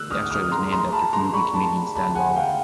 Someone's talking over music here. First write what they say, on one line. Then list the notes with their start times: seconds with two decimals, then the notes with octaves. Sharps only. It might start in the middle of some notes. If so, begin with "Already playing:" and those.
The asteroid was named after movie comedian Stan Laurel.
Already playing: E6 F#6
0.11 D#6 F6
0.31 D#6 F6
0.52 A#5 C6
0.72 A#5 C6
0.92 A5 B5
1.13 A#5 C6
1.33 B5 C#6
1.54 A5 B5
1.95 A5 B5
2.15 F#5 G#5
2.36 F5 G5